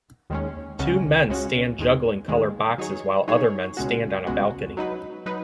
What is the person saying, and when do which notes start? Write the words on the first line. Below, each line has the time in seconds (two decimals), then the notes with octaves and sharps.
Two men stand juggling colored boxes while other men stand on a balcony.
0.30 D#2 D#3 G#3 C#4
0.79 C#2 C#3 G#3 C#4 F#4
1.29 C#2 C#3 G#3 C#4 F#4
1.79 D#2 D#3 G#3
2.28 D#2 D#3 G#3
2.78 F#3 D#4 G#4 C#5
3.28 F#3 D#4 G#4 C#5
3.77 C#2 B2 G#3 C#4 F#4
4.27 C#2 B2 G#3 C#4 F#4
4.77 F#3 D#4 B4
5.26 F#3 D#4 B4